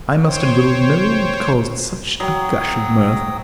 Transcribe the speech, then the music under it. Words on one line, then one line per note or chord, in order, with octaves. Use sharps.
I must and will know what caused such a gush of mirth.
C5 C#5 G5
F#3 G5 D#6